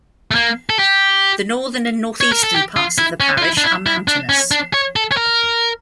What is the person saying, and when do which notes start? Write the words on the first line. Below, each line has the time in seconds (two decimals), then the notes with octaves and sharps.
The northern and northeastern parts of the parish are mountainous.
0.31 A3
0.35 A#3
0.70 A4
0.79 G4
2.21 C#5
2.32 A#4
2.43 A4
2.54 G4
2.76 F4
2.98 E4
3.20 C#4
3.38 F4
3.42 E4
3.58 D4
3.64 E4
3.86 E4
4.08 D4
4.29 C#4
4.51 D4
4.74 C#5
4.96 A4
5.12 C#5
5.17 A#4